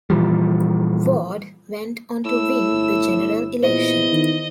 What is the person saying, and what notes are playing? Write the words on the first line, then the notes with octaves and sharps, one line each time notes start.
Ward went on to win the general election.
A#2 E3 F3 G3
A2 E6
G1
E2 A#2 C5 D#5
D#3